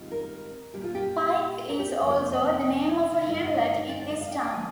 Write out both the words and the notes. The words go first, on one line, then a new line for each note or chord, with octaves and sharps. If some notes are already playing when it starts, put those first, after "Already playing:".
Pike is also the name of a hamlet in this town.
Already playing: G#2 D#3 G3 C4 F4
A#4
A#2 G3 A#3 G4
F4
G4
A#4
G4
G#4
F2 C3 F3 A#3
C5
C5
D#5
F5
G5
G5
G2 D3 G#3 D#4 D#5
F5
D#5
D5
D#5
F5
G5
G5
D3 F3 A#3 G#5